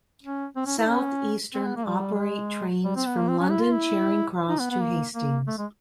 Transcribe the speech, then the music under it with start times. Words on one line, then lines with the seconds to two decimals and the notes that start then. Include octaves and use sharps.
Southeastern operate trains from London Charing Cross to Hastings.
0.23 C#4
0.56 C4
0.66 C#4
0.78 E4
0.89 C#4
1.54 C4
1.65 B3
1.76 A#3
1.87 G3
2.14 G3
2.20 G#3
2.85 G3
2.96 C4
3.07 B3
3.17 A#3
3.28 C4
3.40 C#4
3.51 E4
3.62 F4
3.72 E4
4.49 D#4
4.60 B3
4.71 B3
4.81 A#3
5.15 A#3
5.47 A3
5.58 G#3